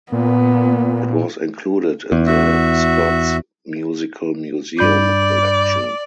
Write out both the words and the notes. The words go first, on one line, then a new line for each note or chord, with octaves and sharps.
It was included in the "Scots Musical Museum" collection.
A#2 B3
E2
F#4 E5
G2 D5 B5 G6